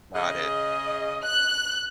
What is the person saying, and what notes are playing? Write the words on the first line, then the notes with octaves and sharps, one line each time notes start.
Got it.
C#3 G#4 D#5
F#6